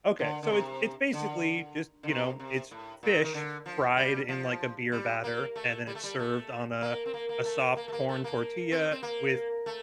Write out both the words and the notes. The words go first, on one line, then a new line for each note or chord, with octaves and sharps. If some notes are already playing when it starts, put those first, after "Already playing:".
Okay, so it's it's basically just you know, it's fish, fried in, like, a beer batter, and then it's served on a a soft corn tortilla, with,
D3
D3
C3
D3
D3
C3
C3
A2
A#2
D#3
D3
F3
G3
F3
G3
A#3
A3
G3
A3
G3
A3
A#3
C4
A#3
A#3
A3
A#3
A3
A#3
A3
A#3
C4
C4
A#3
A3